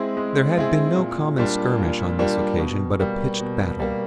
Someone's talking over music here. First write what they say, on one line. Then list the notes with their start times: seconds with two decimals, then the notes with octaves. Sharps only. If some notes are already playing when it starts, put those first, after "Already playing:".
There had been no common skirmish on this occasion, but a pitched battle.
Already playing: G#3 C4 E4 G#4
0.17 G#3
0.57 C4 E4 G#4
0.97 A#2
1.38 G3 A#3 D4 F4
1.78 A#2
2.19 G3 A#3 D4 F4
2.59 B2
2.99 G3 A#3
3.39 B2
3.80 G3 A#3